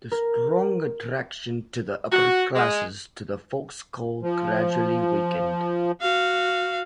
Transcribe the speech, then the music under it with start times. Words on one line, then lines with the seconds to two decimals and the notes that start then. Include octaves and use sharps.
The strong attraction to the upper classes to the folkeskole gradually weakened.
0.12 A#4
2.12 F#4
2.55 G#3
4.22 F3
6.01 F#4 F5